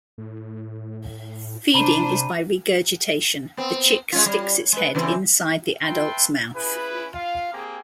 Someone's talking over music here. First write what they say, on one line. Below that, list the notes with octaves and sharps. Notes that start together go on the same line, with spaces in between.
Feeding is by regurgitation, the chick sticks its head inside the adults mouth.
A2
C3 D4 C5 A#5 B5 D#7
B3 C4
G#3 C#4 F4
G3
G#3 B4
C#3 E3 C4
B4 E5 G5 A5 C6
C#4 E4 G#4 B4
F4 F5
A#3 C4 G4 G#4